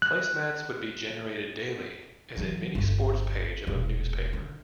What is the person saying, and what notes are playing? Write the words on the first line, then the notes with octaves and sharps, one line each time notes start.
Place mats would be generated daily as a mini-sports page of a newspaper.
F#6
E3 F#3
G1 D2
E1 A#2
D3